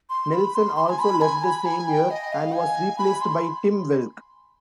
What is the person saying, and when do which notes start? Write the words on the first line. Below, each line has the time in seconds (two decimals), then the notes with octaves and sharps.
Nelson also left the same year, and was replaced by Tim Welch.
0.10 C6
0.33 B5
0.55 C6
0.77 C6
0.90 G#5
0.99 B5
1.22 G#5
1.44 B5
1.65 G#5
1.89 G5
2.11 D#5
2.33 F5
2.55 G#5
2.98 B5
3.21 C6